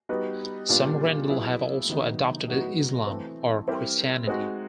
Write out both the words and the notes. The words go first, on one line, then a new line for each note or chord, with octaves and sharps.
Some Rendille have also adopted Islam or Christianity.
G3 B3 D#4 F#4 B4
A#2 G3 B3 D4 F4
F#3 B3 E4 G#4
C3 D#3 F#3 B3 D#4
A2 F#3 B3 D#4 F#4
E3 A3 C4
G3 C4 E4 G4 A#4
G#3 C4 D#4 F#4